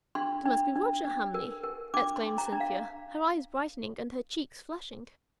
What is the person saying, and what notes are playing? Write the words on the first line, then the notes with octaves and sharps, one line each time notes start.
"It must be Roger Hamley!" exclaimed Cynthia, her eyes brightening, and her cheeks flushing.
D4 C6
D4
D4
D4
A#4
A#4
D4 D6
C6
D4
A#5
D4
F5